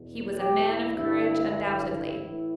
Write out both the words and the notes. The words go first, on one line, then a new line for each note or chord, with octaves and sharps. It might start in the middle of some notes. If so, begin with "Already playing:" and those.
He was a man of courage undoubtedly.
Already playing: E2 B2
G4
E4
G2 D3 E4
E4
A2 E3